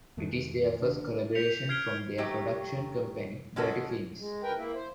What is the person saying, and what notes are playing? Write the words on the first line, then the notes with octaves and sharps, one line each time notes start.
It is their first collaboration from their production company "Dirty Films".
F2 D#3 G#3 A3
D1 D#2 D3 D4
G6 B6 C#7 F7
F6 G#6 B6 C7 D7 G7
F#3 A3 G4
G#3 C#4 F#4 A4
G#3
D2 A#4 B4 G5
A#3 E4
C5